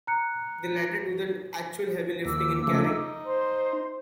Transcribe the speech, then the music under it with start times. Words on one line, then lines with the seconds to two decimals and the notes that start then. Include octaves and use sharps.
The latter do the actual heavy lifting and carrying.
0.07 A#5 F#6 C#7
2.25 D#2 D6 E6
2.67 C#3 F3 A3
2.85 D#4
3.26 C5 C6